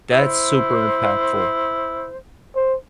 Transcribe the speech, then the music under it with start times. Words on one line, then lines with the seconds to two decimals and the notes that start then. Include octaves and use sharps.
that's super impactful.
0.12 E4 C5
2.56 C5